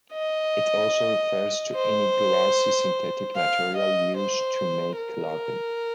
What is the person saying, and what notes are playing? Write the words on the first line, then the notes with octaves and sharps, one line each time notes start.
It also refers to any glossy synthetic material used to make clothing.
D#5
C5
F5
D#5
C5
A#4